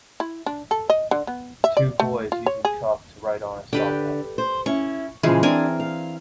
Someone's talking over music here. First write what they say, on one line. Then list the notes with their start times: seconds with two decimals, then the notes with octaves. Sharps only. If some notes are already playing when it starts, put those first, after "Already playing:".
Two boys using chalk to write on a sidewalk.
0.20 E4
0.46 D4
0.71 A4
0.90 D#5
1.11 D3
1.27 B3
1.64 E5
1.77 D5
2.00 A3
2.32 F4
2.46 C#5
2.65 G#4
3.73 D3 G4 B4 G5
4.38 C5
4.66 C#4 E4 C#6
5.23 A#2 C#3 E3 F3 G#3 G#4
5.43 C4 D4 A#4 G#5
5.80 F5